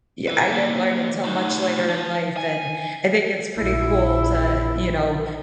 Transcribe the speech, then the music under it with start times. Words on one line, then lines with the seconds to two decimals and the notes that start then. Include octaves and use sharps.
y I didn't learn until much later in life and I think it's pretty cool to, you know,
0.28 E4 B4
0.52 D#3 A#3
1.25 A3 D#4
1.89 F3
2.37 G#5
3.59 A#1 E4